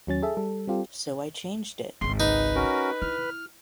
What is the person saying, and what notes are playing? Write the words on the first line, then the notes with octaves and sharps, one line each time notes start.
So I changed it.
D#2 F#3 C#4 A6
G#4 A4 E5
G3 A4
G3 C4 F4 G4 A4
G#1 C#2 C6
D#4 B4
C#4 F#4 A#4
E4 F6